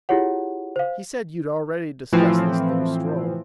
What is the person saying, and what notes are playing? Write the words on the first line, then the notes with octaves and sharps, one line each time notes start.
"He said you'd already discussed this little stroll."
E4 F4 G4 G#4 C#5 F#5
C5 F5
A2 E3 F3 C4